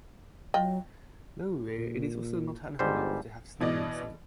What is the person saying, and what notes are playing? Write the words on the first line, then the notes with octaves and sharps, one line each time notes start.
Though rare, it is also not unheard of to have snow in the summer.
F#3 F4 D#5 G5
A#2
G1 G#2 G3 C5
B2 E3 D5 D#5